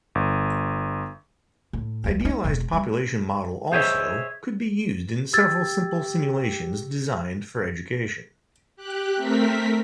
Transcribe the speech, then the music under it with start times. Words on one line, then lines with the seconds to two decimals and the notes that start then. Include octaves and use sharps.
Idealised population model also, could be used in several simple simulations designed for education.
0.15 G1
1.73 A2
2.04 D#2 G3
2.21 A3 D#4
2.44 E1 B2
2.73 G3
3.72 G#4 C5 C#5 D#5 E5
5.33 G4 E6 G#6 A6
8.76 G4 F#6
9.16 A3 C4 A#4 B6